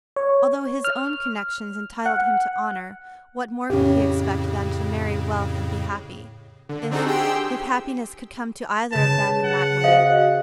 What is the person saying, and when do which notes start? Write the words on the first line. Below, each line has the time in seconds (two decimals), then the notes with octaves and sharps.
Although his own connections entitled him to honor, what more could he expect than to marry wealth and be happy, if--if happiness could come to either of them in that way.
0.16 C#5
0.85 F6
2.06 F#5
3.70 F2 A2 C#3 C#4 G4
6.69 D3
6.91 C4 D4 D#4 F#4 G#4 A4
7.06 G4 G#4 G5 C6 E6
8.92 C#3 B4 A5
9.44 F#5
9.84 F#4 C5 D#5 F5